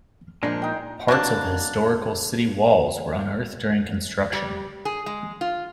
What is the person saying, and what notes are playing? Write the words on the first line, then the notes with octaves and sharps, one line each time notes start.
Parts of the historical city walls were unearthed during construction.
A#2 F3 F#3 G#3 D4
D#4 G5
F#3 G#3 A#3 D4
G3
G#4
G#3
F4